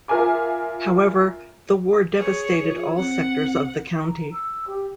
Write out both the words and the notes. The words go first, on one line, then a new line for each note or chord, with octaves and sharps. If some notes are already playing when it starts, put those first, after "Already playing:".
However, the war devastated all sectors of the county.
F4 A#4 E5 G#5 D6
G#4 C#5
F3
C4 F#5
A#5
E6
G4